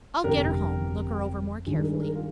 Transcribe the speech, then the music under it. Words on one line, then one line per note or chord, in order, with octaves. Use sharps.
"I'll get her home and look her over more carefully."
G1 F2 C3 G4 A#4
G2 D#3 G#3 D4 G#4
A#4
G#4
A#4
F4 G#4